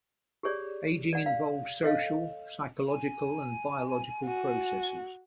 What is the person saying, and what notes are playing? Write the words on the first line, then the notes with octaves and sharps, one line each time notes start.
Aging involves social, psychological, and biological processes.
G4 G#4 C#5 D5
D5 F#5
F5
A4 C#5 D#5 F5
G#5
F#4